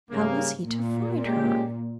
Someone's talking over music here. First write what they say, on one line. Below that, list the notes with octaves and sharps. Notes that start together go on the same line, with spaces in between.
How was he to find her?
G#2 C#3 G3 A#3
A#2
G#3 C#4 G4